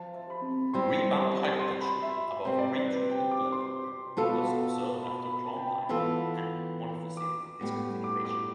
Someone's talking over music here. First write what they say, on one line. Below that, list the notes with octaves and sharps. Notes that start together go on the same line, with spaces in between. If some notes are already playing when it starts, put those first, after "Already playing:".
Rebound hypertension, above pre-treatment level, was observed after clonidine, and guanfacine discontinuation.
Already playing: F3 A5
B5
G3 C4 E4 G4 C6
C6
B5
E5
C3 G3 C4 G4 C5
D5
C5
B4
G5
D6
C6
B2 B3 F4 A4 A5
A5
B5
B5
A5
G5
A5
B5
E3 B3 F4 A4
D6
A2 G3 B3
D6
D6